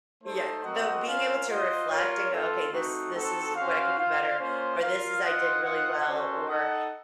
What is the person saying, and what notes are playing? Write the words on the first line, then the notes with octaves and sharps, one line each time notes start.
Yeah. The Being able to reflect, and go, "Okay, this this is 'What I could do better,' or this is 'I did really well,' or,
A3 D#4 A4 C5
C4 F#4 A#4 D#5 F#5
C#4 F4 A#4 F5
F4 C5 D#5 F#5
F4 A#4 C#5
C4 F4 A4
A3 C4 D#4 F#4
C4 D#4 F#4 A4
C#4 F#4 C5 F5
F4 C5 F5
A#3 C#4 F4 C5
F4 A#4 F5
F4 C5 D#5 F#5
F4 C5 D#5 F#5
C#4 F#4 A4 C5
D#4 A4 D#5 F#5